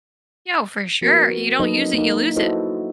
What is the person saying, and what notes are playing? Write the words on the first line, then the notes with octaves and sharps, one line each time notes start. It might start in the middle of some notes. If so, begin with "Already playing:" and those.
Yo, for sure. You don't use it, you lose it.
F3 A#3 B3 F#4 A#4 B4
F#3 A#3 D#4 A4 B4 D#5
A#3 D#4
E4 F#4 A4 B4 C5 D#5